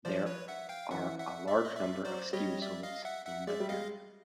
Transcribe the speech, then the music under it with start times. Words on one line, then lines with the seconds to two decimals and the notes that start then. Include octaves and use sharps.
There are a large number of ski resorts in the area.
0.05 F3 C5 D5
0.26 B4 C#5
0.48 E5 F#5
0.69 F5 G5
0.91 E3 E5 F#5
1.19 E5 F#5
1.48 D5 E5
1.65 D#5
1.76 D5 E5
2.05 F#3 C5 D5
2.33 G3 C#5 D#5
2.62 D5 E5
2.83 D#5 F5
3.05 E5 F#5
3.26 E5 F#5
3.47 G#3 D5 E5
3.60 G3
3.69 G#3 D#5 F5